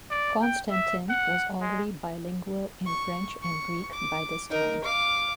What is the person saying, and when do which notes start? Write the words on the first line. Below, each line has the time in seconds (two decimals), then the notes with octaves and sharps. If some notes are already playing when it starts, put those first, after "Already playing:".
Constantin was already bilingual in French and Greek by this time.
0.10 D5
0.41 G5
0.71 E5
1.09 F#5
1.61 G#3
2.87 C#6
3.43 C#6
3.93 D6
4.49 D#4 A#4
4.84 F5 D6